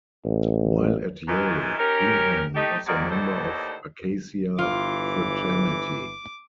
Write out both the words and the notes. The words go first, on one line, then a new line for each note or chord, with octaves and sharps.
While at Yale, Bingham was a member of Acacia Fraternity.
A1
F#2 D#3 E3
C#4 D#4 G4 A#4
A3 D#4 G4
G#2 C3 D#3 A#3 F#4 D5
D#2 A2 D3 D#4 A4 C5
G1 E3 F4 D6